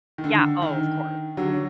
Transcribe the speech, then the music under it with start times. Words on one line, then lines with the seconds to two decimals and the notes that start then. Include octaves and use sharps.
Yeah, oh, of cour
0.18 D#3
0.24 D3
0.62 D#3
1.37 D3 F#3